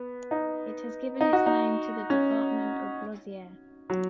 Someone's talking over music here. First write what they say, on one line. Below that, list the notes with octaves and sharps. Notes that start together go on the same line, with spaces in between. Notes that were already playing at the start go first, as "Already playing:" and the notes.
It has given its name to the department of Lozère.
Already playing: B3
D#4
D#4
F#4
D#4
C#4
F#3